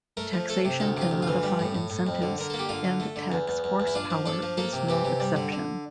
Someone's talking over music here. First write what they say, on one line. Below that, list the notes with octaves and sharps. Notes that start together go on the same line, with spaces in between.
Taxation can modify incentives and tax horsepower is no exception.
A3 A#4
F3
A3 A4
C3
D2 A4
C3 F4
D2
F4
E3
G3
A2
A2
A2
F2
D3
D3 A#4
A#3 A4
G4
D3 F4
D3
A3
D3
E2
E2
E2
E2
E4
D4 F4
F3
D4 A4
F3
A#3 A4
C3
E3 G4
C3
G3
D3
D3